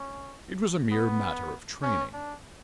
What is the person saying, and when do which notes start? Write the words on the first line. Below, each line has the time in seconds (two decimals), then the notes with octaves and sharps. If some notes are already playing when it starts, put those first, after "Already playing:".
It was a mere matter of training.
Already playing: C#4
0.92 B3
1.83 C#4
2.14 D4